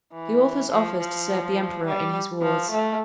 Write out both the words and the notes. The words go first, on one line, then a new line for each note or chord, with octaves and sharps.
The author's offers to serve the emperor in his wars.
E3
F3
F3
G3
F3
A3